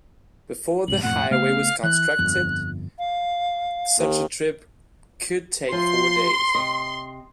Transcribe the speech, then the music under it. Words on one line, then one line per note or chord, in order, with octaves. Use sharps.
Before the highway was constructed, such a trip could take four days.
C2 G#2 F#7
E1 F2 A2 F#5
C#3 A3 B3 F5
E3 F#6
G1 F2
F5
D#2
F3 E5 C6
C3 D#5